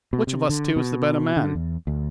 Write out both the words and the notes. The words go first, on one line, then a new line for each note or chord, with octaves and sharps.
Which of us two is the better man?
B2
C3
D3
B2
D3
E2
D2